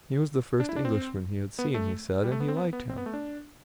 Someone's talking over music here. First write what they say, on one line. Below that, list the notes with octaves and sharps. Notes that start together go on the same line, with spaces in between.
He was the first Englishman he had seen, he said, and he liked him.
D4
E4
D4
C4
B3
A3
G3
A3
B3
C4
B3
B3
C4
B3
A3
D4